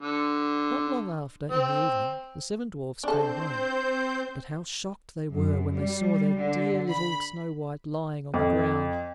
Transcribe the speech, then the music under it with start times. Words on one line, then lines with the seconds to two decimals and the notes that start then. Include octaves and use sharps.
Not long after, in the evening, the seven dwarfs came home, but how shocked they were when they saw their dear little Snow-white lying on the ground!
0.01 D3
1.52 C4
3.04 C4 D4 A4 C5 G6
5.33 F#2
5.72 G3
6.36 D3
6.88 B5
8.34 F2